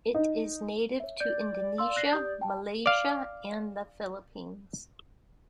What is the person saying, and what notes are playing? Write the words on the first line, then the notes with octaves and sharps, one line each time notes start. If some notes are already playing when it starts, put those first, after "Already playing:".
It is native to Indonesia, Malaysia, and the Philippines.
D#4
C#5 E5
D5 G6
F5 C6 E6
F#6 A#6 C7
G4 D#6 G6
G5 A5
D5 F5